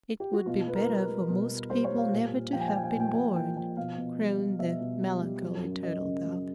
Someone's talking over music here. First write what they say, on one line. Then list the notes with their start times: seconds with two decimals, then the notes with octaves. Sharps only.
"It would be better for most people never to have been born," crooned the melancholy Turtle-Dove.
0.20 G4
0.33 F#4
0.46 B2 F4
0.67 B2 B4
0.75 A#4
0.82 B4
0.87 G3
1.09 G3
1.29 B2
1.50 B2
1.70 G3 C5
1.84 C#5
1.91 G3
1.97 F5
2.12 A#2
2.32 A#2
2.52 F3 G5
2.61 G#5
2.68 G5
2.74 F3 G#5
2.84 G5
2.91 G#5
2.95 A#2
3.00 G5
3.08 G#5
3.15 A#2 G5
3.35 F3 G5
3.56 F3 G5
3.77 B2 F5
3.98 B2
4.19 G3
4.39 G3
4.59 B2 E5
4.80 B2
5.01 G3
5.22 G3
5.42 F#3
5.63 F#2
5.83 F#2 D#5
6.04 C#3
6.25 F#3